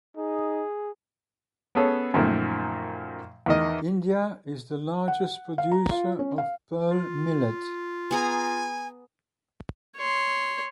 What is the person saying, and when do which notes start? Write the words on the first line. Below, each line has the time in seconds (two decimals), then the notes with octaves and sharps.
India is the largest producer of pearl millet.
0.17 D#4 G#4
1.75 B3 C#4 G#4 A4 C#5
2.14 F#2 A#2 D#3 F3 A3
3.46 E2 D#3 D#5
5.08 F#5
5.58 F5
5.72 A#5
5.91 F4
6.19 C#4
6.38 F5
6.91 F4
8.11 B3 G#4 G#5 A#5
9.97 C#5 C6